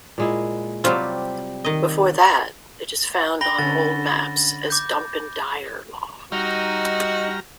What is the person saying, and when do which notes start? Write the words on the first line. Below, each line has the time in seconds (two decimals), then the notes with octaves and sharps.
Before that, it is found on old maps as Dunpendyrlaw.
0.18 A#2 G#3 E4
0.84 C3 F#3 G3 F4 G4
1.65 D#3 D#5
3.41 G5 B5 A#6 G7
3.58 D3 C#4 A6
4.70 D6 G6
6.32 G3 D#4 F#4 A#5 F6